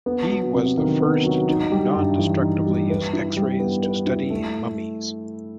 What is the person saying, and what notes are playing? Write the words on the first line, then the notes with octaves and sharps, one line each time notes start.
He was the first to non-destructively use x-rays to study mummies.
B3
F#3
C3
D#3
B3
F#3
D#4
G3
G2
E3
D#4
G3
B4
E4
G3
B3
B4
E4
A3